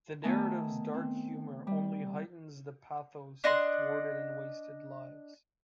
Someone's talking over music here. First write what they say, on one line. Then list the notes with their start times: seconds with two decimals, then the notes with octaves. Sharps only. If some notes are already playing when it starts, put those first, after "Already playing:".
The narrative's dark humor only heightens the pathos of thwarted and wasted lives.
0.23 D#3 A3 B3 E5 G#5 A5
0.94 C4
1.67 G3
3.44 D4 D#5 F#5 C6